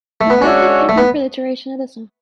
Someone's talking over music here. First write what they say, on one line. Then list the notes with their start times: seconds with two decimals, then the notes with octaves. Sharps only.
The ark is opened for the duration of the song.
0.21 A3
0.30 B3
0.41 G#3 C#4 D4 F#4 C#5 E5
0.89 A3
0.98 B3